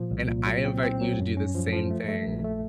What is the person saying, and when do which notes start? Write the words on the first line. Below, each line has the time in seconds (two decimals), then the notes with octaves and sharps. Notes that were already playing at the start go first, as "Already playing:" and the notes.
And I invite you to do the same thing.
Already playing: A#2 F3
0.11 C2
0.28 A#2
0.47 F#3
0.65 C4
0.83 C4
1.01 F#3
1.19 F#2
1.37 C#4
1.54 F3
1.73 F3
1.90 A3
2.08 A3
2.26 A#1
2.44 A3